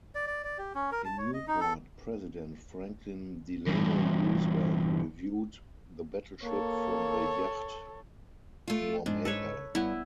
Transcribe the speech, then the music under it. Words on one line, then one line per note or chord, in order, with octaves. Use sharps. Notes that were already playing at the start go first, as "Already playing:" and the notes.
In Newport, President Franklin Delano Roosevelt reviewed the battleship from the yacht "Nourmahal".
D5
D5
D5
G4
C#4
A#4
A5
C#5
D#5
D#4
A4
E2 G2
A#3 A4 C#5
A3 F4
G#2 D4
A4 B4 C#5
G2 B3 E4